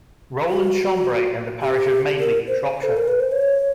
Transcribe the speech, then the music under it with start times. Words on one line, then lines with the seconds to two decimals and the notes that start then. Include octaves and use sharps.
Rowland Chambre in the parish of Madeley, Shropshire.
0.48 F#4
1.62 G4
2.19 A#4
2.47 C5
2.84 A4
2.97 A#4
3.08 B4
3.20 C5
3.32 C#5